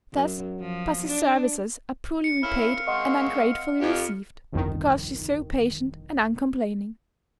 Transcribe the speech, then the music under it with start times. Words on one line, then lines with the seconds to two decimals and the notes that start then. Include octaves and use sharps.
Thus, pussy's services are poorly repaid and ungratefully received, because she is so patient and uncomplaining.
0.13 F#2
0.60 F3
1.07 D4
2.24 C#7
2.43 C4 C#4 E4 A#4 F5 F6
2.88 G#3 D#5 F#5 C6 C#6
3.81 F2 F3 G4 F5
4.52 G1 C2 F2 D#3